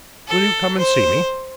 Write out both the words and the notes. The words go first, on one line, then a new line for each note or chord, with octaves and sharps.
Will you come and see me?'
A4
C5